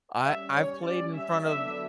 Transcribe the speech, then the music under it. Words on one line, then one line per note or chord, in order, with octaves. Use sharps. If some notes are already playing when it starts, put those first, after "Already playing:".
I I've played in front of,
G3 C#4 E5
C#5
D5
E5
D3 F#3 B3 D4 E5